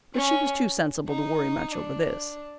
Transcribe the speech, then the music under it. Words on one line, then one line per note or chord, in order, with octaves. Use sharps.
But she was too sensible to worry much over this.
C#4
D#4
D4